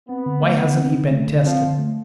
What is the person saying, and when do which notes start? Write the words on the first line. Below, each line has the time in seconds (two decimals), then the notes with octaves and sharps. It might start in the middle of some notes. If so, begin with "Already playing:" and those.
Why hasn't he been tested?
0.09 B3 C4
0.26 D3
0.43 A3
0.59 D3
0.77 C4
0.94 D3
1.11 A3
1.27 D3
1.44 F3 C4
1.61 D3
1.79 A3